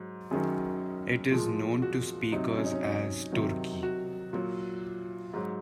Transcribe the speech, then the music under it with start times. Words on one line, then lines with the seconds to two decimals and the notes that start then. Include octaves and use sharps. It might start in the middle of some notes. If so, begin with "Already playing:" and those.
It is known to speakers as Turki.
Already playing: G#2 F#3
0.31 F#2 D#3 F#3 G#4
1.31 A#2 F3 G#3
1.82 F#4
2.32 C3 F#3 D#4
2.57 C#4
2.65 D#4
2.73 C#4
2.82 D#4
3.32 C3 D#3 F#3
3.83 F#4
4.33 A#2 F#3
5.34 G#2 F#3